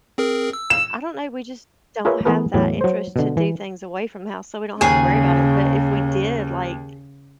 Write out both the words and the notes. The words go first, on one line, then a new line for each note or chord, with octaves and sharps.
I don't know, we just don't have that interest to do things away from the house, so we don't have to worry about it, but if we did, like
C4 G#4 A#4
E6
E7
F4 G#4 A#4 B4 C#5 E5
E3 A3 B3 G#4 A#4 B4
E2 A2 F#3
F#3 C5
B2 D3
E3
D#2 C#3 G#4 G#5